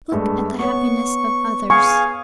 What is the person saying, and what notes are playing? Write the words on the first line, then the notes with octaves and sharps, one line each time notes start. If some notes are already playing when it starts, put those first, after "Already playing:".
"Look at the happiness of others."
G2 G#3 A3
B3 C#5 C#6
G#4 F5 G#5 C#6